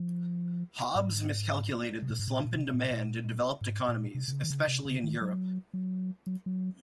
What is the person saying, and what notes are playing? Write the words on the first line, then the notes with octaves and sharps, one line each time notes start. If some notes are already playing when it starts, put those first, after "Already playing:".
Hobbs miscalculated the slump in demand in developed economies especially in Europe.
Already playing: F3
G#2
C3
A#2
G#2
A#2
A#2
C3
A#2
A#2
G#2
A#2
C3
C3
C#3
D#3
C#3
C3
C#3
D#3
F#3
F#3
F#3
F#3